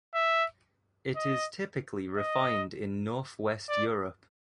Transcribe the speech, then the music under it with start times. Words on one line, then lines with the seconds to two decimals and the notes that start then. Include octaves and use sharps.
It is typically refined in Northwest Europe.
0.15 E5
1.16 D#5
2.17 D#5
3.69 D5